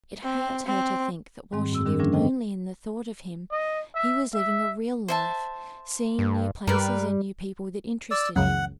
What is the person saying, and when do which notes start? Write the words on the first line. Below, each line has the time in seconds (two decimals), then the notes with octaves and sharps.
It hurt her to think that while she lived only in the thought of him, he was living a real life, seeing new places and new people that interested him.
0.23 C4
0.66 C4
1.52 G#2 D#3 G3 C4 C6
1.71 F#2 C4 E6
1.86 D#3 G3 D4 G#4 A#4
1.99 D3 F3 G3 A#3 C#4 D4
2.12 A4 C5 D#5 G5
3.51 D#5
3.95 E5
4.34 E5
5.08 C5 E5 A5
6.19 G2
6.67 G2 G3 A#4 B4
8.11 D5 E6
8.36 C#2 F#2 F#5